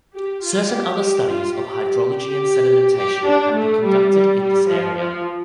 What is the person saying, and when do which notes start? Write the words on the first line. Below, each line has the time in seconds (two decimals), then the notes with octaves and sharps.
Certain other studies of hydrology and sedimentation have been conducted in this area.
0.14 G4
0.43 F4
0.70 G4
1.27 F4
1.56 G4
2.12 G4
2.97 G4
3.26 D4
3.55 A3
3.83 G3
4.11 G3
4.40 G3
4.68 F3
4.96 F3